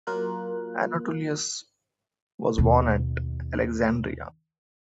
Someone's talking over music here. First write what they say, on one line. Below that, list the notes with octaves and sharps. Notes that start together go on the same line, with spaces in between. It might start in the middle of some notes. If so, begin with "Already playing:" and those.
Anatolius was born at Alexandria.
F#3 A#3 F4 A#4 F#6
D#2 B2